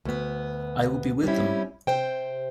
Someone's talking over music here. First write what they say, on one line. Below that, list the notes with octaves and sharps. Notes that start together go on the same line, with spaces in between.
I will be with them.
D2 B3
G3 C4 C#4 E4
C3 C5 G5